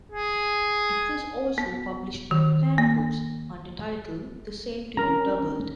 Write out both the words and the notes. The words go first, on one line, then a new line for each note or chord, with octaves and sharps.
It was also published by Pan Books under title The Same To You Doubled.
G#4
B3
D#3
A#3
C#4 A#4 A#5